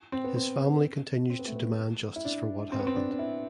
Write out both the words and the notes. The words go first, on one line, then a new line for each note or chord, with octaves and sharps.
His family continues to demand justice for what happened.
C4
B3
C4
C4
B3
A3
B3
E4
D4
C4
B3
C4
D4
D4
E4